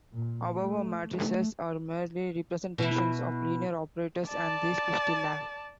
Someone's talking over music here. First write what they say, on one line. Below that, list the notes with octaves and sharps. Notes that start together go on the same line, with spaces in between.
However, matrices are merely representations of linear operators, and these we still have.
A#2
A3
A3
B2 E4
D5 A5